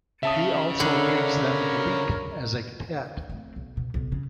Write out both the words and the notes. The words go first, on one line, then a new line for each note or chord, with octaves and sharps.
He also gives them Gleek as a pet.
C#3 E5 A5 D#6
D3 A#4 C#5 B5
A3 C4
B1
B2
B1 C3
C#3